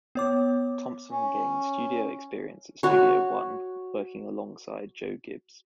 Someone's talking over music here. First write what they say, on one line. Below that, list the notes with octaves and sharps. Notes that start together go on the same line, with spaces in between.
Thompson gained studio experience at Studio One, working alongside Joe Gibbs.
B3 C#5 D6
C#4
F#4 C#5